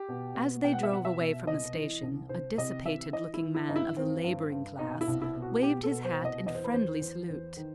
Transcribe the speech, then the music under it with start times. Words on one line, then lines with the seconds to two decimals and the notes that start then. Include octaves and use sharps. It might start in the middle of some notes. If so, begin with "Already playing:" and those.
As they drove away from the station a dissipated-looking man of the labouring class waved his hat in friendly salute.
Already playing: G4
0.09 B2
0.35 B2
0.64 B2 G5
0.73 F#5
0.83 E5
0.91 B2 F#5
1.05 E5
1.19 B2
1.46 C2 D#5
1.75 E3
2.03 C2
2.29 C2 C5
2.58 C3 D#5
2.85 E3 E5
3.13 E3 D#5
3.34 E4
3.41 E3
3.55 E4
3.68 G2 D#4
3.76 E4
3.96 E3 C4
4.24 G2
4.52 G2
4.79 B2 D#4
5.01 E4
5.08 C2
5.22 E4
5.35 B2
5.42 F#4
5.63 B2 G4
5.83 A4
5.91 B2
6.05 C5
6.18 C2
6.25 D#5
6.46 E2 D#5
6.55 C5
6.64 B4
6.73 E2 C5
7.01 E2
7.30 E2
7.57 D#3